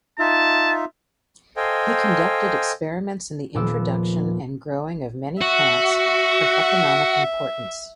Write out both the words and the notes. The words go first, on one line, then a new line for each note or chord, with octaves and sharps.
He conducted experiments in the introduction and growing of many plants of economic importance.
D#4 F4 E5 A5
A4 C5 D#5 F5 G5 G#5
D#1 A#2 F3 B3 D6 E6
F#4 E5